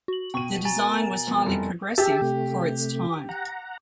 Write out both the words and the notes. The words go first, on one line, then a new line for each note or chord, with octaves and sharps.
The design was highly-progressive for its time.
F#4 F#7
B2 G5 C#6 D#7
G#5 A#5 A6
A#4
F2 B3 C4
F1 G3 E4
G4 G#4 E5 A5
C3 A3
F#5 A#5